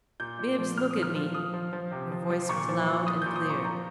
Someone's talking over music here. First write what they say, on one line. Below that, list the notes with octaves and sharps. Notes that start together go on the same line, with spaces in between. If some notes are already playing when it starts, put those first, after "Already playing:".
"Bibbs, look at me!" Her voice was loud and clear.
A#2 G6
A#2
F3
A#2 F6
D#6
F3
F6
F3
F3 D#6
F3
F3
C3
F3
F3
A#2 C#6
F3
F3
F3 D#6
G6
A#2
D#6
F3 C#6
F3 A#5